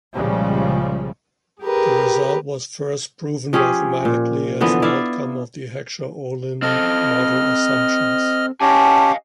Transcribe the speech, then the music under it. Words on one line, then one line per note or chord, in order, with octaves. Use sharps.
The result was first proven mathematically as an outcome of the Heckscher-Ohlin model assumptions.
C2 A#2 C#3 F3 G3 G#3
G4 G#4 A#4 B4
F3 C#4 G4 G#4
A#2
D3 E3 F3 B3
E4 D5 E5 F5
C4 A4 D#5 F6
C#4 G4 D#5 F5 G#5 A5